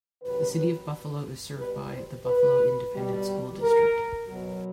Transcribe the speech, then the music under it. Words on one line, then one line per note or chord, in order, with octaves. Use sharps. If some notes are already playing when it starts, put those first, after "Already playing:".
The City of Buffalo is served by the Buffalo Independent School District.
C3 D#3 F#3 B4
B2 G3 B4
C5
B4
B2 G3
A#4
B2 F#3